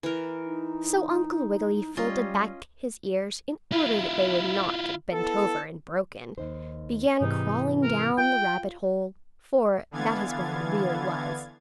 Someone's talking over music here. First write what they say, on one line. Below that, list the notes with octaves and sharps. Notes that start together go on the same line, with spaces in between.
So Uncle Wiggily, folding back his ears in order that they would not get bent over and broken, began crawling down the rabbit hole, for that is what it really was.
E3 A#4
D#4
G3 C#4 F4 D#5
E4 F4
B3 E4 A4
D#2 D#4 C5
G#2 C3 E3 D#4
A#4
F4 G5
D3 E3 B3 F5 G#6 A6